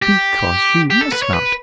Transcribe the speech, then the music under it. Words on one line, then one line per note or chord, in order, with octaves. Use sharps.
'Because you must not.
G4
G4
A4
B4
C#5
B4